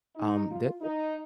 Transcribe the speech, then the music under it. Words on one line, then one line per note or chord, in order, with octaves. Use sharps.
Um, that
D#4
F4
D#4